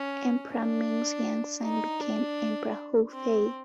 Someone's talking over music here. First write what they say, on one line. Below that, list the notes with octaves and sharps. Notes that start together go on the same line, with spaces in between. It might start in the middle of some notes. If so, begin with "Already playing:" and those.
Emperor Ming's young son became Emperor Houfei.
Already playing: C#4
D4
D#4
D4
C4